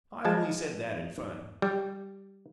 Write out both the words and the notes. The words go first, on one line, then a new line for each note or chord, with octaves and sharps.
"I only said that in fun."
F3 G#3 A5
G3